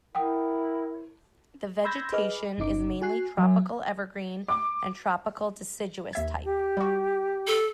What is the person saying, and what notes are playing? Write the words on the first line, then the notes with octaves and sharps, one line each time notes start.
The vegetation is mainly Tropical Evergreen and Tropical Deciduous type.
E4 A#4 F#5 G5 D#6
B5 C6 E6 G6 G#6 A#6
G#4 B4 D#5 D6 F6
G1 C#3 D#4 D6
F#4 G#5 F#6 C7
F#3 E5 G#5
D6
D#2 E5 G#6
G4
G3 F#4
A4